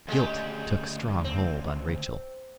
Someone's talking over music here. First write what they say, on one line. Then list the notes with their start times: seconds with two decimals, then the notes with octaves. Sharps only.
Guilt took strong hold on Rachel.
0.08 D2 C#3 G#3 G4
1.24 C4